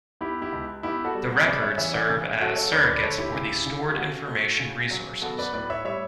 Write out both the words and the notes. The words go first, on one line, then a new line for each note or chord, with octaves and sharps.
The records serve as surrogates for the stored information resources.
B3 E4 G4
E4 G4
C#2
B3 E4 G4
F#4 A4
G3
C#3 B4 D5
C#5 E5
E3 C#5 E5
D5 F#5
C#3
F#3 F#4 A4
A4 C#5
D2 B4 D5
B4 D5
D2 A4 C#5
E4 G4
C#3
C#3
G4
A3 F#4
A3
C#3
F#3
B3 F#4 A4
B4 D5
A2 B4 D5
C#5 E5
G3 C#5 E5